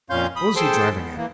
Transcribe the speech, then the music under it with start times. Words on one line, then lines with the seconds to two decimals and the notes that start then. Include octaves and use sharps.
What was he driving at?
0.10 F2 A#2 C#4 F5 C6 G6
0.36 B5 D#6
0.56 G#4 A4 C5 G5 A5 C6
0.96 B3
1.16 E3 A#3